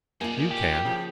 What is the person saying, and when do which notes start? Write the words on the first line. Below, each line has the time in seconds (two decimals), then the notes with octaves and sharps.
You can.
0.21 A#3 D#4 F4 D5 G#5
0.51 G4
0.85 C#3 F3